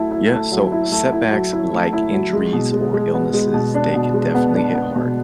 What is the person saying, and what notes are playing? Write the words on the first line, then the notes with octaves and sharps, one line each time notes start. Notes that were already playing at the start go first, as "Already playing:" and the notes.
Yeah, so setbacks like injuries or illnesses, they can definitely hit hard,
Already playing: F#3 A3 E4 A4
E4
A3
F#3
E4
A3
E4
F#3
E4
A3
E4
F#3
G#3
B2
G#3
G#3
B3
G#3
B2
D4
B2
G#3
B3
D4
B3
B2